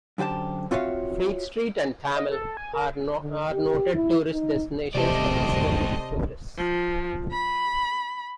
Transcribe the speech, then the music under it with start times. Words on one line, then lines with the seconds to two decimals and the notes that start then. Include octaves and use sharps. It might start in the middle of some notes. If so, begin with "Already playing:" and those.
Freak Street and Thamel are noted tourist destinations for Western tourists.
0.18 F#2 D3 G4 C5 A5
0.71 C4 F4 F#4 C#5 E5 F5
2.16 D#5
2.31 A4
2.57 G#5
2.74 A#4
3.20 D3
3.52 G4
3.94 E4
4.32 D#4
4.95 C3 G3 A3 G4 C5 D5 D#5 A5
6.58 F3
7.32 B5